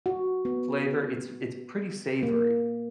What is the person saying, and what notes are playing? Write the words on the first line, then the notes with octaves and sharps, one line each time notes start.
flavor. It’s it’s pretty savory,
F#4
B3
A#3